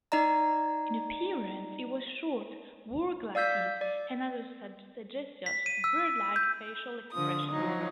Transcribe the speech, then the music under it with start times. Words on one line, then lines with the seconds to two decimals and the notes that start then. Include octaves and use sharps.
In appearance he was short, wore glasses, and had a sagacious, bird-like facial expression.
0.12 D#4 D5 D#5 A#5
3.35 D5 F5 E6 G6 B6
3.81 D5
5.46 B6
5.66 D#7
5.84 E6
6.36 G6
7.12 D3 F3 D#6
7.51 F3 F#3 D#4